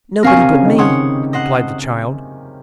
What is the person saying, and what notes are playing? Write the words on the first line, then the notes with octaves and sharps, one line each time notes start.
'Nobody but me,' replied the child.
C3 C4 A#4 F5 G#5 C#6
C3 C4
C#3 C#4
D#3 D#4
C#3 C#4 C#5 F#5 C6 D#6
C5 D#5 F#5